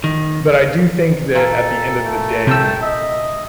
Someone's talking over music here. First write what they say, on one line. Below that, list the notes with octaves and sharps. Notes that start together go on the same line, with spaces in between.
But I do think that at the end of the day,
D#3
A#2 A4
A3
C3 A3 G5 E6
D#5 E5